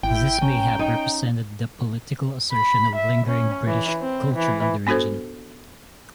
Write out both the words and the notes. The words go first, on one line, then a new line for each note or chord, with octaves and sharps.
This may have represented the political assertion of lingering British culture in the region.
G#1 E4 G5
C#4 A#5
D#4
B5
E5
C#4
E3
C4
E3
B3 D4 F#4 A4 C5